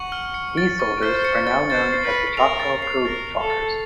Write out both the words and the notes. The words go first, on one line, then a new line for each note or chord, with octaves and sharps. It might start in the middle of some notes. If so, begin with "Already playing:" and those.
These soldiers are now known as the Choctaw code talkers.
Already playing: F#5 C#6
F6
C#7
A6
C#6
C5 F6
C#7
A6
C5 A6
C7
B4
A6
A#4 F7
A6
C7
A#4 A6
F7
A4
A6